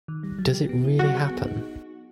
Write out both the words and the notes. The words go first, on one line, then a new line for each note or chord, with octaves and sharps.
Does It Really Happen?
D#3
G3
F#3
G4
B3
E4
F#3 F#4
G#4
B3
D#4